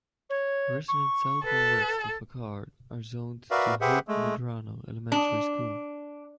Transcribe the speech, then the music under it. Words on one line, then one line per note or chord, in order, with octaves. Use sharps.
Residents south and west of Akard are zoned to Hope Medrano Elementary School.
C#5
C#6
A4 B4
F#4 A#4 B4 D5 E5 F5
G4 G#4 B4 C5 E5 F#5
G#3 A3
D4